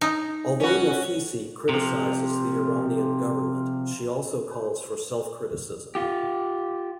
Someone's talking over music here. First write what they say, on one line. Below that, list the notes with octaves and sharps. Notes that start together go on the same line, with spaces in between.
Although Nafisi criticizes the Iranian government, she also calls for self-criticism.
D#4
C#4 F#4
C3 F3
F4 G4